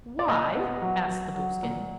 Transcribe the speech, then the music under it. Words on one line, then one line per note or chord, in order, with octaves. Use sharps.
"Why?" asked the Blueskin.
D5
A#2 D#5
B3
F#3
F#3
F#3
A#2